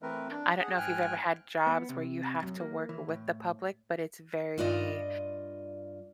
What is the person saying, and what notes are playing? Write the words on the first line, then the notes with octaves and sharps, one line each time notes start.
I don't know if you've ever had jobs where you have to work with the public, but it's very
E3 A3 C4 A#4 B4
D4
G#4 F#5
G#2 G5 G#5 F6 F#6
B3
C3
F#2
A#3
E3
A2
G2 F4 D5 D#5